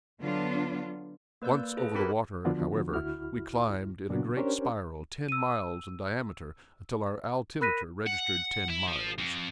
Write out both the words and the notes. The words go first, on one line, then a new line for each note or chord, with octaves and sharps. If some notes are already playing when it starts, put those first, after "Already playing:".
Once over the water, however, we climbed in a great spiral, ten miles in diameter, until our altimeter registered ten miles.
D3 F#3 B3 D4 F4
A#3 B4 D5 E6 G6
F4 G#4 A4 B4
C4 F#4 G4 A#4 B5 B6
D3 F3 B3 D4 F4 F#4
D2 E4 F#4 F6
A#2 C#3 F#3 B3 D4 F#4
C#4 D4 G4 A#4 C5 C#5
E6 D#7
A#4 B5 F#6 A#6 B6 D#7
F#5
E4
F3
F2